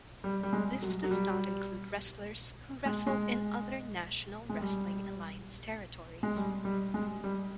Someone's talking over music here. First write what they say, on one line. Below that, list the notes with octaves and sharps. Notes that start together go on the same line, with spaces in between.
This does not include wrestlers who wrestled in other National Wrestling Alliance territories.
G3
G3
G#3
F#3
F#3
G3
G#3
G#3
G#3
G3
G#3
G3
G3
G#3
G3